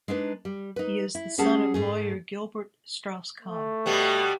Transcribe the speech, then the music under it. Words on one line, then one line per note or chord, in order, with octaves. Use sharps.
He is the son of lawyer Gilbert Strauss-Kahn.
G#3 D4 D#4 B4
G3
D#4 B4
E4
G3 C#4 G#4 F#5 A5
G#2 A3 G#4
A3
B2 G3 B3 G4